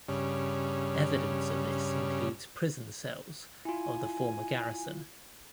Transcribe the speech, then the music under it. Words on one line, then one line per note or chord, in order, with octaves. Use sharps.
Evidence of this includes prison cells of the former Garrison.
G2 C#3
E4 F4 G#5